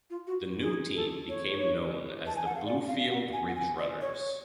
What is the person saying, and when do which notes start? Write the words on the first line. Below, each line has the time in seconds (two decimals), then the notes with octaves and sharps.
The new team became known as the Bluefield Ridge Runners.
0.10 F4
0.27 F#4
0.61 G#4
0.95 A4
1.29 C#5
2.27 A5
2.36 G#5
2.46 F#5
2.55 F5
2.65 D5
2.88 F5
3.10 F#5
3.33 G#5
3.48 F#5
3.56 G#5
3.79 D5
4.01 C#5